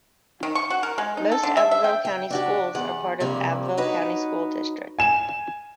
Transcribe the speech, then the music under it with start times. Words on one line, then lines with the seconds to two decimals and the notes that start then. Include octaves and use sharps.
Most Abbeville County schools are part of the Abbeville County School District.
0.43 D#3
0.55 C#6
0.70 F#4
0.83 A#4
0.98 G#3
1.17 D#4
1.32 A4
1.43 D3
1.57 E5
1.71 E5
1.84 G5
2.05 G5
2.30 D4 F#4 G4
2.75 E2 F#5
3.20 G2 C3 F3 G3 A#3
3.77 D#4 F#4 B4 C#5
4.99 G#5 E7